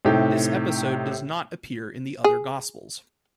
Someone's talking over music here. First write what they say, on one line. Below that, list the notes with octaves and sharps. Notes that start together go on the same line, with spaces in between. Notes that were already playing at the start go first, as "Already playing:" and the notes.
This episode does not appear in the other Gospels.
A2 C3 D#4 G4
G#4